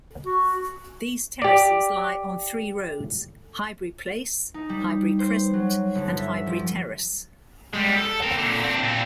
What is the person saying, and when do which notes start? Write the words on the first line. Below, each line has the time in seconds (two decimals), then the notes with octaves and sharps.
These terraces lie on three roads: Highbury Place, Highbury Crescent, and Highbury Terrace.
0.25 F#4
1.42 G4 D5
4.54 D#4
4.69 G3
5.19 C5
5.53 F#3
5.95 G1
6.18 E5
6.46 F3
7.73 G3 G#3
7.96 A4
8.22 C4 A#4
8.38 A#2 D3
8.63 C4 D4
8.83 A#2 C4